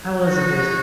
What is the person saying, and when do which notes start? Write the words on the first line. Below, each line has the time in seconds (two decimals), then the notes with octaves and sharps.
that was it crazy
0.21 G#3 D#4 F#4